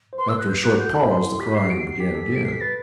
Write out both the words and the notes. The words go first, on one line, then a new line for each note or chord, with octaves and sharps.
After a short pause the crying began again.
C5
B4 C6
E6
F#6
G6
F#4 F#6
F#4 G6
A4 B5
C6
E4
G4 B6
C7
F#4 D7
C7
C7
G4 B6
A4
D7
C7
B6
B4 A6